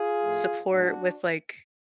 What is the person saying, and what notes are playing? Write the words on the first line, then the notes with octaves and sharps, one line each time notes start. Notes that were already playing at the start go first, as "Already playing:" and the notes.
support with, like
Already playing: F4 G#4
A2 F3 A3
A2 F3 G#3 D4 F#4